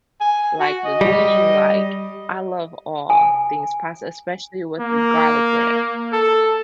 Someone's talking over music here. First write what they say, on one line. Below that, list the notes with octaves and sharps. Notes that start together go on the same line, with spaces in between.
like, linguine. Like, I love all things pasta, especially with garlic bread.
G#5
F#4
D#5
G3
G#5
A#3
A4